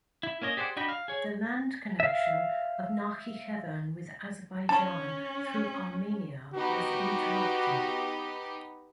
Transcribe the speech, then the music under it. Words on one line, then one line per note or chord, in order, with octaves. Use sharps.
The land connection of Nakhichevan with Azerbaijan through Armenia was interrupted.
E4
A#3 C#4 C#5 D#5
G4 G#4 C5 D5 F#5
D4 F#4 D#5 G5 B5
F5
G#4 C#5
E5 F5
C#4 A5
B3 D#4 F#4 G4